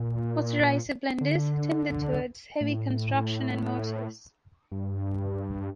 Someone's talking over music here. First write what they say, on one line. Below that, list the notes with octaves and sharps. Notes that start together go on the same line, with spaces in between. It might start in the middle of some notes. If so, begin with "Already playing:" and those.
Osterizer blenders tended towards heavy construction and motors.
Already playing: A#2
D3
A2
G2